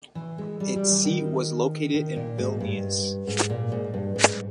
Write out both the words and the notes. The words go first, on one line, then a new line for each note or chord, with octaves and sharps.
Its seat was located in Vilnius.
E3
G#3
G3
G3
E3
D#3
D#3
A#2
G#2
G2
G#2
A#2
G#2
G2
G#2